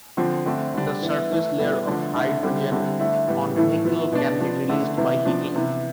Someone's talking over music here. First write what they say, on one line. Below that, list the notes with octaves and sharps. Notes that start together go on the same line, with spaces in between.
The surface layer of hydrogen on nickel can be released by heating.
D3 F3 C4
D3 A3 C4
D3 G3 D4
E3 B3 E4
E3 A3 E4
B2 G3 B3 E4
D3 F3 A3 D4
D3 A3 E4
D3 G3 C4 E4
D3 G3 C4 E4
D3 A3 E4
A2 E3 G3 B3
A2 E3 A3 E4
F3 B3 E4
B2 B3 D4
F3 B3 D4
D3 A3 E4
C3 E3 B3 E4
C3 F3 B3 D4
C3 E3 B3 E4